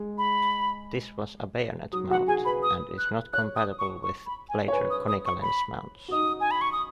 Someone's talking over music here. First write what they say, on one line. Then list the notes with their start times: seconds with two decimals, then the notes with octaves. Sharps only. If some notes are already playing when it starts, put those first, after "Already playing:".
This was a bayonet mount, and is not compatible with later Konica lens mounts.
Already playing: G#3
0.18 B5
1.93 F#3 D#6
2.10 F#4 F#5
2.28 G#4 G#5
2.45 B4 B5
2.63 D#6
2.98 F#6
3.33 C#5 F#6
3.56 D#6
3.79 C#6
4.03 C#6
4.26 B5
4.49 G#5
4.68 C#5
4.72 B4 G#5
4.90 D#6
5.08 D#6
5.26 C#6
5.42 B5
6.08 F#4
6.12 D#4 D#6
6.40 G#5
6.51 B5
6.61 C#6
6.72 D#6